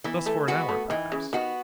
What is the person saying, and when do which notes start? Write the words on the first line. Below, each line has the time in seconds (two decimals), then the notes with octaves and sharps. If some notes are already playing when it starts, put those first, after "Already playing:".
Thus for an hour, perhaps.
0.04 E3 B3
0.26 A3
0.48 G#3 B3 F#4
0.69 A3
0.90 D#3 E3
1.12 C#3
1.33 D#3 B3 F#4